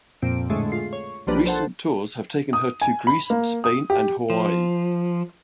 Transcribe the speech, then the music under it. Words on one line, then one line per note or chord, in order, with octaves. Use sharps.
Recent tours have taken her to Greece, Spain and Hawaii.
F2 A#2 C4 D7
A2 D3 G#3 A3 G#4
F4 C7
C#5
B1 F3 G3 A#3 D4 B4
A4 C5 F#5 A5
D#6
G#5
B5
A#3
D#6
G4
F3